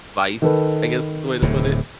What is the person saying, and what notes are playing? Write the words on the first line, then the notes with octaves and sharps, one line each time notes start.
vice, I guess is the way to put it,
D#3 A4 B4
D1 A2 C3